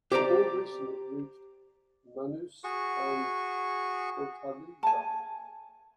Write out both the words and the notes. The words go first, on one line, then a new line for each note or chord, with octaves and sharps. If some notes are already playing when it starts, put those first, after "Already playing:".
And, more recently, it reached Manaus and Fortaleza.
G4 C5 D5 A#5
F#4 G#4 C#6
G#5 A5